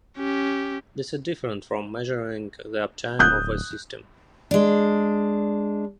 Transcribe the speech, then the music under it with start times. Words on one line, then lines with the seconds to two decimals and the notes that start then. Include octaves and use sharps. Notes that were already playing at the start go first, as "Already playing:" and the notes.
This is different from measuring the uptime of a system.
0.17 C#4 G4
3.19 D1 D#6 F#6 G6
4.51 G#3 D4